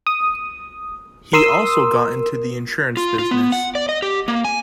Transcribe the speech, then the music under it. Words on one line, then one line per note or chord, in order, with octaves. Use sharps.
He also got into the insurance business.
D#6
A#4 C6 D#6 E6
F4
F4
B3
F#5
D5
D#5
G4
A#3
G#5